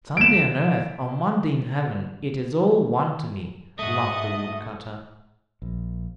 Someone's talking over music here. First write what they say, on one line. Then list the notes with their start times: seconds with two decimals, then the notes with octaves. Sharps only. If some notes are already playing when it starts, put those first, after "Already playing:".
"Sunday on earth, or Monday in heaven, it is all one to me!" laughed the wood-cutter.
0.17 D7 E7
3.79 G#2 A3 F#4 D#5 E5
5.62 A#1